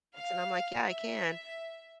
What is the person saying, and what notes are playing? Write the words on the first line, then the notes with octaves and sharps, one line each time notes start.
And I'm like, “Yeah, I can.
F5
E5